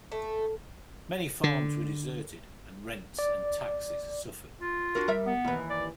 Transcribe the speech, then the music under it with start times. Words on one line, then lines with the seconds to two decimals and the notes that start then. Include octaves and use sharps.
Many farms were deserted and rents and taxes suffered.
0.12 A3
1.44 D3
3.19 D5
4.61 F4
4.95 D4 F#4 A#4
5.08 G3 A#4 E5
5.26 B3
5.45 D#2 E3
5.70 D5